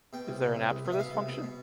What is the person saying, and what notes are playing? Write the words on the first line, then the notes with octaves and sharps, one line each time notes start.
Is there an app for this function?
B2 G5
C2
B2
C2
C2
B2
E5
B2 F5
C2
B2
B2